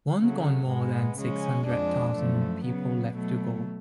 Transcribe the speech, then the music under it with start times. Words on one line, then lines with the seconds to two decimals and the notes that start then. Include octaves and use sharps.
One gone, more than six-hundred-thousand people left to go.
0.20 C#3 F#3 A3
0.68 G#2 G#3 B3
1.17 C#3 F3 G#3 C#4
1.67 F2 F3 G#3 D4
2.16 F#2 F3 A3
2.66 C#3 F#3 B3
3.15 B2 F#3 A3